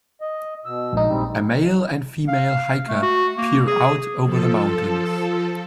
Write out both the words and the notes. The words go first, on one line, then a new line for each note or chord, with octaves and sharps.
A male and female hiker peer out over the mountains.
D#5
B2 E6
A#1 G#2 D#4
G3 C4
F5
A3
F#4
A#3
G#4
F3 A4